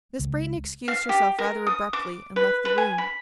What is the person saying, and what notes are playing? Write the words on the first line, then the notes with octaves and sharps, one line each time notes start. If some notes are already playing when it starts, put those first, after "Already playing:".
Miss Brayton excused herself rather abruptly and left the room.
C#2
F5
G4
A#4
D#6
D6
B4
B4
G#5
B5